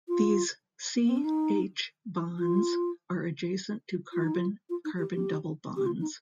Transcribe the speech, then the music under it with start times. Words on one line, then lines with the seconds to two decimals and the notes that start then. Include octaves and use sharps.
These C-H bonds are adjacent to carbon-carbon double bonds.
0.08 F4
1.02 A#3
1.09 C4
1.17 D4
1.24 D#4
2.39 F4
4.13 F4
4.24 D#4
4.34 F4
4.70 F4
4.85 D#4
4.99 G4
5.14 G4
5.77 G4
5.86 F4
6.01 D#4